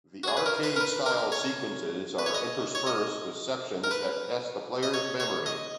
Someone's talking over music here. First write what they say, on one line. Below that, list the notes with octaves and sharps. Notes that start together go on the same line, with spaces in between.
The arcade-style sequences are interspersed with sections that test the player's memory.
F#4
G#4
B4
A#4
B4
A#4
B4
A#4
C#5
B4
C#5
D#5
C#5
D#5
A#4
B4
D#5
C#5
C#5
D#5